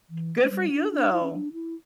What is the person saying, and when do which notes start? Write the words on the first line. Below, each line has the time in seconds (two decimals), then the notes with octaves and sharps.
good for you, though.
0.10 E3
0.44 A3
0.50 G3
0.71 D4
0.92 D4
1.12 E4
1.23 C#4
1.33 D4
1.53 E4